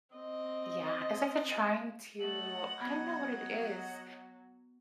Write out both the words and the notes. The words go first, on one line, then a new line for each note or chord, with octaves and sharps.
Yeah, it's like they're trying to I don't know what it is.
C4 D#5
A3 C#5 D#5 F#5 F#7
F#3 B3 G#6